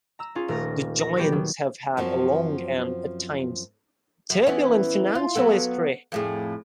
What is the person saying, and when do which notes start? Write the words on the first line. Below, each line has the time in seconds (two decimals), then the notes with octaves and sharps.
The Giants have had a long and, at times, turbulent financial history.
0.19 A#5 E6
0.35 C#4 F4 G#4
0.48 D#1 A3 A#4 A#6
0.99 A#6
1.17 F#3 B3 G4
1.32 D#3 F#3
1.97 F#2 F3 C4 F#4 A5
4.30 F#2
4.47 E3 B3 C#4
5.15 F4
5.35 F#3 B3 A4
6.12 F2 A2 G#4